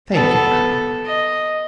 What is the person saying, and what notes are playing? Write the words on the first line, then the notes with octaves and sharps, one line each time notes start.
"Thank you, madam."
B3 A4
D#5